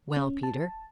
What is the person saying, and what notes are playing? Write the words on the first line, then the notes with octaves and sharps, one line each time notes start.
"Well, Peter?"
C#4
A5